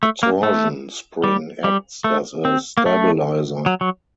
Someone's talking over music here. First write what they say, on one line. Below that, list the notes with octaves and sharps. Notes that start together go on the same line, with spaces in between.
A torsion spring acts as a stabiliser.
A3
A#3
A3
G3
G3
A3
C4
A#3
A3
F#3
F#3